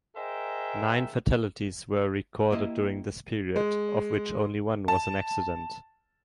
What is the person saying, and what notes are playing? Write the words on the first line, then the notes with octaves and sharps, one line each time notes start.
Nine fatalities were recorded during this period, of which only one was an accident.
G#4 A#4 C5 D#5 E5 G5
A#3 E4 G4 C5 D#5
G#3
A5